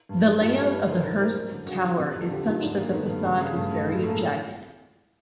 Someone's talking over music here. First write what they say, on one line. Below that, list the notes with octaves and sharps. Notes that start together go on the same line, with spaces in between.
The layout of the Hearst Tower is such that the facade is very jagged.
G2
E3
G2 F4 G4
G2 G4 A4
A2 A4 B4
E3 A#4 C5
G#2 A#4 C5
E3 A#4 C5
F#2
D3
C#3 F#4 G#4
E3
C3
F2
D3 F4 G4
F#2 D#4 F4
G#2 D4 E4
D#3 G#3 A#3
D#3 A3 B3
G2
C#3
C#3
G2 A3
G2 A3
A2 G#3
A3
A2 G#3 A#3